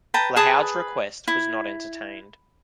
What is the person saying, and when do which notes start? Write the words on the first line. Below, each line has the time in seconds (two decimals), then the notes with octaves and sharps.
Lahoud's request was not entertained.
0.14 B4 G5 A5 A#5
0.36 G#4 B4 A5 D#6
1.28 E4